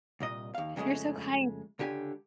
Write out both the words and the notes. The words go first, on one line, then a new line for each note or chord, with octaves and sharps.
You're so kind.
C2 A#2 D#5
D#2 F5
F2 C#3 F#3 G#3 A3
C#2 D3 G4 G#5